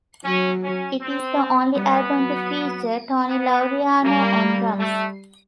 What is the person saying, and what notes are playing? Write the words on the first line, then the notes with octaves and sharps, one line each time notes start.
It is the only album to feature Tony Laureano on drums.
F#3 C#4
C#4
C4
G3 B3
F#3
B3
G3 A#3
A3